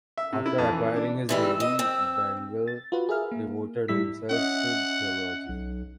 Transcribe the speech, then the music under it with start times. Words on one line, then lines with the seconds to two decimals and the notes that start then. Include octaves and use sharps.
After acquiring his degree, Bengel devoted himself to theology.
0.17 E5
0.33 C3
0.46 E4
0.58 F2
0.72 E3
0.96 D4
1.29 G#2 E3 G3 E5
1.42 E6
1.60 D#5
1.79 C4
2.68 A6
2.92 F4 F#4 B4
3.09 G#4 A#4 E5 F6
3.32 A#3
3.88 A2 G3 E4 E6 B6
4.31 C#4 D#5 E5 F#5
5.49 B1